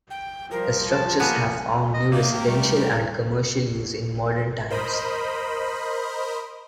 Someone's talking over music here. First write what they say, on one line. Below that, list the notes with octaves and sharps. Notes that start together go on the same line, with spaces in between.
The structures have found new residential and commercial use in modern times.
G5
F3 G3 A#4
A5
A#3 B3 G#5
D#5
C3 A#3 D#4 D5
G4 A#4
G3 A3
A#4 C5 D#5 B5